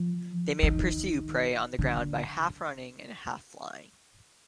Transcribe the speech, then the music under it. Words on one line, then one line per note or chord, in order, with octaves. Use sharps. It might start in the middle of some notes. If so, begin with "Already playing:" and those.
They may pursue prey on the ground by half running and half flying.
Already playing: F3
D#3
D3